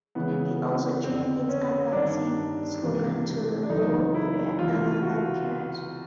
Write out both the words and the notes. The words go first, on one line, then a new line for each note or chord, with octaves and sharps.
It also changed its advertising slogan to "The Low Fare Airline That Cares".
C#2 C#3 E3 B3
F2 D3 C4
C#4
G2 D#3 D4
C#2 C3 E3
D4
F#2 C#3 E3 D#4
E4
C#2 C3 E3 F4
F4
F#4